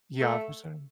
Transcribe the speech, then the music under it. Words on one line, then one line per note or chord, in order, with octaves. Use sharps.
Yeah, for certain.
A3